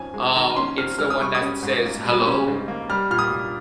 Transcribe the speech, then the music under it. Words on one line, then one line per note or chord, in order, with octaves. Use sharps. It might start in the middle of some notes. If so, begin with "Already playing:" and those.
um, it's the one that says, "Hello,
Already playing: F2 D#3 C#4 G#5
G#3
D#3 A#5
C#4 C6
F2 F6
G#3 F6
D#6
G3 C#6
D#6
C#4
G#2
A#3
G3
C#4
G#2
A#3
G3 F6
A#2 F6
D#6
A#2